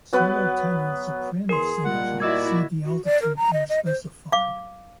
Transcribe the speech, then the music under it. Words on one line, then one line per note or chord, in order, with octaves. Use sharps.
Solo tenor and soprano singers will exceed the altitude here specified.
F#3 B3 B4
E2 G#4 A#4 C6
A#2 G3 G#3 F#5
E4 F#4 D5 D#5 E6 G#6
F#4
D5
A#4
A#5
D#5
D#5
C5
F5 D6